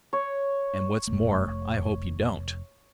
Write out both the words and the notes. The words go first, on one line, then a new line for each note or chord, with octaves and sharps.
"And what's more, I hope you don't."
C#5
F1 E2 A3